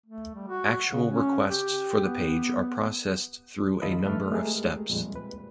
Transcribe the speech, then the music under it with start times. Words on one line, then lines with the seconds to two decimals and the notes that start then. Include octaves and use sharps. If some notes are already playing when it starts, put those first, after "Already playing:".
Actual requests for the page are processed through a number of steps.
0.06 A3
0.34 G3
0.48 F#4
0.92 C#3
1.10 C#4
1.49 G4
2.05 B3
3.82 D#2 F4 A4 D#5 B5
4.05 F2 A3 A4 B4 F6
4.32 G#3 A3 G4 G#4 A#4
4.89 F2 A#2 G3 G#3
5.16 B4